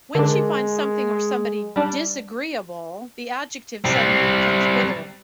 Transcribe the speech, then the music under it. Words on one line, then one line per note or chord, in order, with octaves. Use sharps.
When she finds something or somebody "disagreeable," the adjective suddenly becomes withering.
D3 G#3 D4 A#4
G3 D4
G3 C4